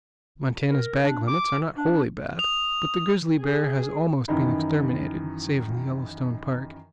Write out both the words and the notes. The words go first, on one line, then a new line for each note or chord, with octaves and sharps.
Montana's bag-limits are not wholly bad; but the grizzly bear has almost been exterminated, save in the Yellowstone Park.
A#4
D4
D6
D4
D#6 F7
G#4
F#2 D#3 E3 D#4 E4